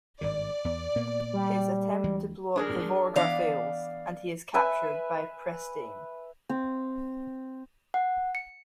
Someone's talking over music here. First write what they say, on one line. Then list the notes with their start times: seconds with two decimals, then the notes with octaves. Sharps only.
His attempt to blow up the "Vorga" fails, and he is captured by Presteign.
0.21 G#1 G2 D#3 D5
0.64 E2 B3
0.96 A#2 A#3 B3
1.33 G3
2.04 D2 E3 G#3
2.56 D4 G#4 A#4
3.16 E3 B3 D4 D5 F5
4.54 B4 E5 G#5
6.49 C4
7.94 F#5
8.35 C#7